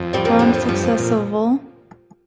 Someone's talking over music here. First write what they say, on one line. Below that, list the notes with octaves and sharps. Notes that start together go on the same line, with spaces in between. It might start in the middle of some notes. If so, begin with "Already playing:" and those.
Bom Sucesso Vol.
Already playing: F2
G3 C4
F3 A#3
D3 G3
F3
G2 F3
F2
A#2